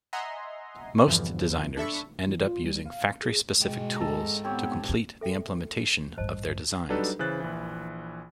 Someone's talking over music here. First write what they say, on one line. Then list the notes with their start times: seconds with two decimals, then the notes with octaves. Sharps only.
Most designers ended up using factory-specific tools to complete the implementation of their designs.
0.13 D#5 E5 F#5 G#5 A#5 C6
1.07 E2 G2 B2 D3 E3 F3
1.77 D4 A4 E5 B5 C#6
2.27 E3
2.46 F4
2.64 G3
2.86 F5
3.22 G#4
3.61 G#2 B2 G#3 G5
3.96 A4 A#5
4.44 B3 C4 G4 C#5
5.21 A4 E5 G5
6.17 A1 G2 C5 D#5 A5
6.89 F#3 G3 D4 D#4 A4 B4
7.19 C#3 E3 C5 F#6 A6
7.40 A#1 E3